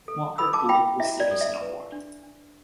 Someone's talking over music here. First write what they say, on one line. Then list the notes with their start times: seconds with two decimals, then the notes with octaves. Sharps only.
Walker Global Citizen Award.
0.08 A4
0.38 A4 B5 E6
0.53 A5 D6
0.69 E4 G5 B5
1.00 E4 E5
1.20 D5
1.31 A4
1.41 E5
1.61 B4
1.92 D4
2.23 D4